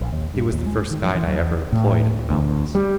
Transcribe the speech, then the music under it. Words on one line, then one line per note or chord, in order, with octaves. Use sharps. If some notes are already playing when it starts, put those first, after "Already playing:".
He was the first guide I ever employed in the mountains.
A#1
D#2
G2
D#2
G#3
D#3
F3
E3
F#3
E2
A2
D2
G3